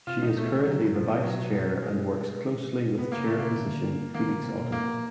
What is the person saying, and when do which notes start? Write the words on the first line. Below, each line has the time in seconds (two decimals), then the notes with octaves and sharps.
She is currently the Vice Chair and works closely with Chair position Felix Otto.
0.07 C3 F4
0.22 A#2 D#4
0.37 A3
0.46 B2 G#3
0.65 C3 F#3
0.80 C#3
0.94 B2 F3
1.09 B2
1.23 B2 F#3
1.53 F#3
1.82 G#3
2.98 C3 B3
3.12 A#3
3.18 C#3
3.24 A3
3.37 C#3 A#3
3.56 D3
4.14 D#3 A#3
4.28 D3
4.43 C3
4.58 B2
4.72 A#2 A#3